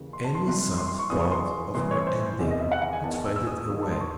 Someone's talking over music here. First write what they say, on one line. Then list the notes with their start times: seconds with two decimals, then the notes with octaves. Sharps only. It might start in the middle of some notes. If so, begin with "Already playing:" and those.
Any sad thought of her ending had faded away.
Already playing: D#2 C#3 E3
0.13 C6
0.24 A5
0.35 C6
0.45 C2 C3 E3 C6
0.78 C6
0.88 C6
0.99 C#6
1.10 E2 C#3 E3 D#6
1.21 C#6
1.31 C6
1.75 C2 C3 E3 C6
1.91 C#5
2.07 C5
2.39 E2 C3 D#3
2.50 D#5
2.61 E5
2.72 F#5
2.82 F#5
2.93 G#5
3.04 E2 D#3 A5
3.25 E6
3.36 E6
3.47 D#6
3.58 D#6
3.68 D#2 D#3
3.83 A5
3.92 C6
4.01 C#6